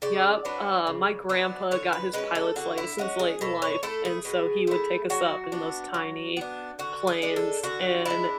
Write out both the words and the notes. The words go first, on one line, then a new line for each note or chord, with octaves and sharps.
Yep. Uh, my grandpa got his pilot's license late in life, and so he would take us up in those tiny planes, and
C#3 D5
F#3 B3 D4
C#3
F#3 B3 D4
D3 C#5
B4
G#3 C#4 B4
A4
D3 F#4
E4
G#3 C#4 F#4
G#4
B2 A4
C#5
A3 E4 A4
G#4
B2
A3 E4
F#3 F#4
B3 D4
F#3
B3 D4
D3 F#4
G#4
G#3 D4
A4
D3 F#4
G#3 D4 E4